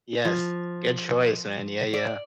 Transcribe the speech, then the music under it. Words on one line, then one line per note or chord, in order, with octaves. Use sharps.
Yes. Good choice, man. Yeah, yeah.
F3
D5